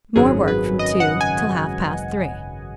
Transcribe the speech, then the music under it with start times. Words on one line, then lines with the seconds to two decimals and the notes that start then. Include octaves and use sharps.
More work from two till half past three.
0.16 G#1 F#2 C#3 F#3 G#4
0.48 B4
0.79 D#5
1.00 F#5
1.21 G#5